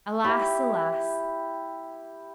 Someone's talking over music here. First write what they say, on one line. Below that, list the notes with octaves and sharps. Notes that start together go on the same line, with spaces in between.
Alas, alas!
E4 G4